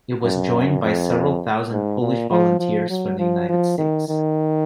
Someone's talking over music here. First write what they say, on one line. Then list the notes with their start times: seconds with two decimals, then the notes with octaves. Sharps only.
It was joined by several thousand Polish volunteers from the United States.
0.24 F#2
0.83 F2
1.72 G#2
2.01 A#2
2.31 F3
2.60 F3
2.90 F#3
3.19 F3
3.49 F3
3.78 D#3
4.09 D#3